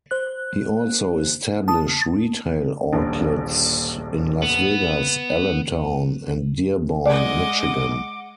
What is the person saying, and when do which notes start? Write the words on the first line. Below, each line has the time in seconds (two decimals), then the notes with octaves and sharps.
He also established retail outlets in Las Vegas, Allentown, and Dearborn, Michigan.
0.11 C5 F#6
1.68 A5 D#6
2.93 D#1 A#1 D3
4.42 B3
7.06 G#3 D5 D#5 F#5 D6